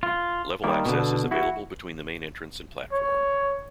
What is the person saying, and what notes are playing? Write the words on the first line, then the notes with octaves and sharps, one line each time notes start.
Level access is available between the main entrance and platform.
F4
D#3 G3 A#3
B2 D3
E4 F#4
C#5